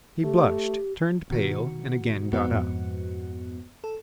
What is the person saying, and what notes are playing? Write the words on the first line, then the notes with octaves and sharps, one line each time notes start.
He blushed, turned pale, and again got up.
A3 G4
B2 D#3 F#4
F2 G#2 B3 F#4
A4